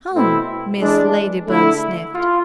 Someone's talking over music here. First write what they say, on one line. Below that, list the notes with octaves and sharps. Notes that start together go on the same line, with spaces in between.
"Huh!" Mrs. Ladybug sniffed.
B2 A3 C4 E4
E3 G#3 D4
D3 A3 E4
F4